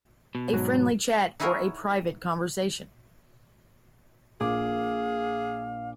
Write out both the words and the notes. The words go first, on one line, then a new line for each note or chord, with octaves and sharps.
A friendly chat or a private conversation.
B2
G#2 F#3
D#4 E4 F#4 G#4 A#4 C#5
A#1 A#2 G#4 F5 D6